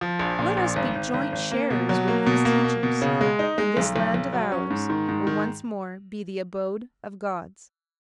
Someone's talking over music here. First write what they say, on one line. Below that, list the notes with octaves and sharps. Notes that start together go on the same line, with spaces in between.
Let us be joint sharers with these teachers, and this land of ours will once more be the abode of gods.
F3
A#1
A#2
A#1
G#1
G#1
G#1
G#1
A#3
B2
F#3
A#3
B2
A#3
A#3
B2
C#3
G#3
D#4
G#3
B1
B1
B1
F#3
C#4
G#2
D#3
G#2
D#3